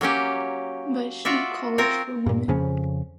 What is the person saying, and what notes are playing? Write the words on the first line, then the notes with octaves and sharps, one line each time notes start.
Vaishnav College for Women.
F#3 A#3 C#4 G4
F4 F#4 D5 E5
C4 F4 A#4 C#5
G2 A#2
F2 C#3 F3 C#4